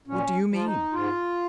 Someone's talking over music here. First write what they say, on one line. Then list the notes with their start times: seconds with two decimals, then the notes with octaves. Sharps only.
"What do you mean?"
0.08 A#2 C#4
0.51 F3 F4
0.64 D#4
0.93 G#2 F4